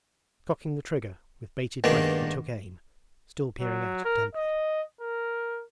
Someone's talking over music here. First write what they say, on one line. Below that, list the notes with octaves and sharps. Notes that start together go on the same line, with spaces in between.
Cocking the trigger, with bated breath he took aim, still peering out intently.
G2 D#3 G#3 A#3 B3 D4
F#3
A#4
D#5
A#4